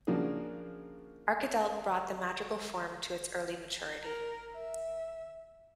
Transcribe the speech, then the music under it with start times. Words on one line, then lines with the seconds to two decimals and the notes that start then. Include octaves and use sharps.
Arcadelt brought the madrigal form to its early maturity.
0.07 C#3 F3 A#3 D4 F#4 G#4
4.02 A#4
4.53 E5